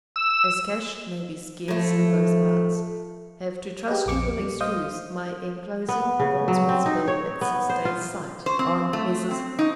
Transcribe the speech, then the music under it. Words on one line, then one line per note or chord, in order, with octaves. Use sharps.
As cash may be scarce in those parts, have to trust you will excuse my enclosing a goldsmith's bill at six days' sight, on Messrs.
E6
A2 F3 A3
G4 G#4 B4 D#5
A#1 F2 D6 C#7
G3
C5 D#5 F5 D#6 G6
B3
C#3
F#3
C4
D#4
C#5
B3
C5
F4
C5
C4
A3
C4
D#4